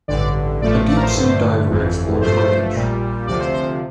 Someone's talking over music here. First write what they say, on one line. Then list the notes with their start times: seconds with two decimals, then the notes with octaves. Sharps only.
A deep sea diver explores wreckage.
0.08 A1 G2 D3 D5
0.62 A1 A2 F3 A3 D5
0.88 D5
0.97 A#4
1.02 C5
1.14 G2 D3 A3
1.68 G1 F2 E3
2.21 G2 F3 A3 C5
2.74 A#1 A#2 G3
3.27 D2 C3 F3 D5
3.40 C5
3.54 C5